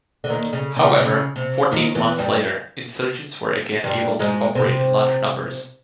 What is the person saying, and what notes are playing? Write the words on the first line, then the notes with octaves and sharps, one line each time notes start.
However, fourteen months later insurgents were again able to operate in large numbers.
D3
D#2 D#3
C#3
C#3
C#3
C3
D#2 D#3
E2 E3
G2 G3
G2 G3
G#2 G#3
C3 C4